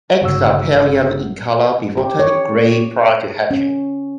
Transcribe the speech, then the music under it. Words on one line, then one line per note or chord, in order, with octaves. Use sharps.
Eggs are pale yellow in colour, before turning grey prior to hatching.
G1 G#2 C#3 F#4 F#5 E6
G4
C#5
C#4